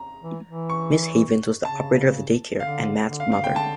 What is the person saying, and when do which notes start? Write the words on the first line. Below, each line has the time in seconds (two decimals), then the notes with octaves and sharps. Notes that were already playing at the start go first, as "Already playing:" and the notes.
Miss Havens was the operator of the day care and Matt's mother.
Already playing: A#5
0.22 E3
0.45 E3
0.70 C#6
1.64 C#3 A5
2.60 D3 F5
3.08 D3
3.20 F5
3.32 D3 F5
3.44 G5
3.56 A5